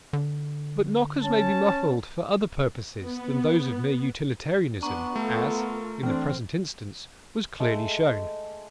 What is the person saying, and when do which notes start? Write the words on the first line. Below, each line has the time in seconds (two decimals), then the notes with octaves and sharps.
But knockers may be muffled for other purposes than those of mere utilitarianism, as, in the present instance, was clearly shown.
0.13 D3
1.23 C#4 A5
3.02 B3
4.83 B3 D4 A#5 C#6
5.16 A3 F4 A4 A#4
6.03 E3 C4 D4 F6
7.60 G#3 A3 E5